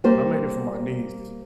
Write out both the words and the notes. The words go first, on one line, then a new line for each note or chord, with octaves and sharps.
and I made it for my niece,
G3 A#3 C5